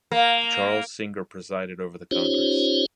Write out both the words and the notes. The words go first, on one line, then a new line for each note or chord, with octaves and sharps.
Charles Singer presided over the congress.
A#3
C#4 D#4 F4 G4 C5 C#5